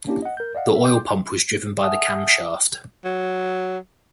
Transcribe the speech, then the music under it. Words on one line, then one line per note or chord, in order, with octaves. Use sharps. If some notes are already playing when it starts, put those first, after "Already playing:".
The oil pump was driven by the camshaft.
A#3 C#4 D4 E4 G4
D#5 F#5
A#4 G6
D5 D#5 F5 F#5
A4 A#4 E5
G5 C6 D6 G6
E5 F#5 G#5 A5 D#6 F6
F#3